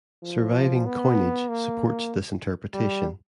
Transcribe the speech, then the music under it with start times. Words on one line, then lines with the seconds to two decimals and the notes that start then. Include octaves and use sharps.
Surviving coinage supports this interpretation.
0.23 F3
0.86 B3
1.49 A#3
2.74 G3